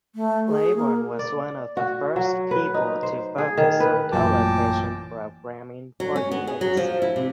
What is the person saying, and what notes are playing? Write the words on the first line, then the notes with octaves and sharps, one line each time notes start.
Laybourne was one of the first people to focus on television programming for kids.
A3
G#4
A#3
D5
F#4
F#3
B4
D#4
C5
G#4
D#3
B4
A1 F#2 A#2 G5 A5 D6
F#3
C#4
B3
G#4
F#3
F3
E4
C3